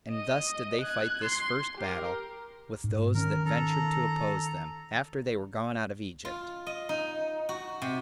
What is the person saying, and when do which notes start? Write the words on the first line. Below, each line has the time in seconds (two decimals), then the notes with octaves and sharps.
And thus did they fight this first battle with those that ventured to oppose them, after they were gone out of Egypt.
0.11 D#5
0.81 F#6 G#6
1.24 C6
1.78 G4 A#4
2.84 G#2
3.14 D#3 C#4 A#4
3.45 A4 A#5
6.25 F4
6.67 D#5
6.89 D#4
7.49 F#4
7.82 C3